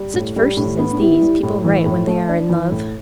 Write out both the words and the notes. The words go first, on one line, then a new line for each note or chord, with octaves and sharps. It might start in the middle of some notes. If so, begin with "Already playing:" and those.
Such verses as these people write when they are in love!
Already playing: G3
A2
G3 A4
A2 D4
B3 D4
D4
E4 G4
G3
A2
E3
A2
A3
D4
E3
A2